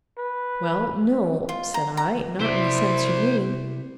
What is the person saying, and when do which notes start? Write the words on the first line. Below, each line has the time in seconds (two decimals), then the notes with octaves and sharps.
"Well, no," said I, "not in the sense you mean."
0.18 B4
1.49 F4
1.74 A#5
1.97 A#5
2.40 C3 E4 C5 D5 E5